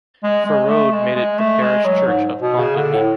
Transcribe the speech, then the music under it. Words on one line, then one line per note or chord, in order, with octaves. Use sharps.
Féraud made it the parish church of Plan-des-Mées.
G#3
G#3
A3
G#3
G#3
A3
G#3
F#3
G#2
B2
C#3
D3
A2